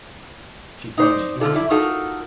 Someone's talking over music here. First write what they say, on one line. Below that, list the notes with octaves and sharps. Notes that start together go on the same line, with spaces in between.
She plunged into it.
D#4 C5 D5
G#2 D3 F4 A4 D5
E4 D5
D#4 F4 F#4 A4 A#4